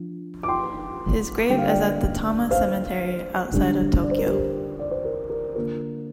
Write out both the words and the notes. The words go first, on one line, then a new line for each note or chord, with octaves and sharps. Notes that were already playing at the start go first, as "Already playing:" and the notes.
His grave is at the Tama Cemetery, outside of Tokyo.
Already playing: F3 D4
D6
G5 C6
D3 G3 A#3 G5
F5
D5 G5
C5 F5
D3 G3 D4
D5
C5
A#4
G4 C5
D5
C5
A#4
A#4
D3 A#3 F4 A#4